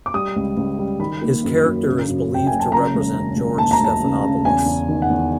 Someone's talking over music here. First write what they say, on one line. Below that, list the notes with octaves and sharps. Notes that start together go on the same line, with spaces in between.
His character is believed to represent George Stephanopoulos.
D6
G3 D#6
C#2
C#2
G3
D#3 B5
A#3
F#2
F#2
C#3
F#2
C#3 G5
F#1 G#5
A5
C#3 A#5
E1
C#3
E1
D#2 A5
A#5
D#2 A5
C#3
C#3
E2 G#5
E2
D#3
F#5
E2